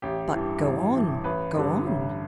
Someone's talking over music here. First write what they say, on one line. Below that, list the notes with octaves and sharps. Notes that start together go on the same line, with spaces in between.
But go on, go on.
A1 G4
G2 E3
A1
G2 E3
A1 B4
G2 D3
A1